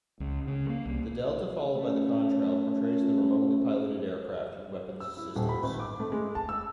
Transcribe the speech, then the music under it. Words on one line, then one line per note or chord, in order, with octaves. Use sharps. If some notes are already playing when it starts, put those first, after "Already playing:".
The delta followed by the contrail portrays the remotely piloted aircraft and weapons systems.
C#2
C#3
A#3
C2
A3 C#4
E6
E4
D#1
B5
G#1
D6
A3
G#3
A5
E6